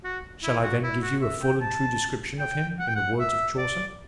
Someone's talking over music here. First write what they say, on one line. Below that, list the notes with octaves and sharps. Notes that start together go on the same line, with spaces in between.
"Shall I then give you a full and true description of him in the words of Chaucer?"
F#4
E4
F#4
E4
F#4
E5
G5
A5
G5
F#5
G5
F#5
E5
D5